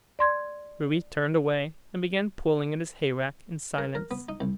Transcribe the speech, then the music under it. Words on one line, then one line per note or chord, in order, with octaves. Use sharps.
Ruby turned away, and began pulling at his hayrack in silence.
D5 C6 G#6
A#4
A#4
B3
D#4
C2